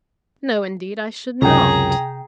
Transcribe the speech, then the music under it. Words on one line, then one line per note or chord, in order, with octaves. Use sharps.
"No, indeed I should not."
C#2 F#2 C3 G#4 G5 A#5